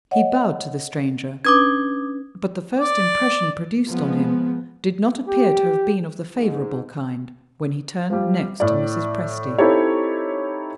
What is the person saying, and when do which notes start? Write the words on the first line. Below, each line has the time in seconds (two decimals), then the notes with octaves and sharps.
He bowed to the stranger; but the first impression produced on him did not appear to have been of the favorable kind, when he turned next to Mrs. Presty.
0.11 C#5 D#5 F#5
1.45 C#4 D4 B4 D6 D#6 G#6
2.78 D5
3.89 F3 G#3 B3
5.27 G4
6.35 G#2
8.10 F3 G3
8.60 A2 D5
9.58 C4 D#4 E4 G4 A4 C#5